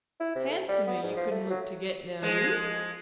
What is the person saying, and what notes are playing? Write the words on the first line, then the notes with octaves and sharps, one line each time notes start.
Handsomer you couldn't look to get, now you.
E4
C3
A3
G3
B3
G#2
F3
A3
F#3
F3 G#3